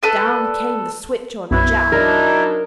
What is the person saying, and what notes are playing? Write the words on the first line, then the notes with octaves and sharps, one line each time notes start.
Down came the switch on Jack.
A4 B4 D5
B1 F#2 B3 E4
F#3 D4 D#4 A#4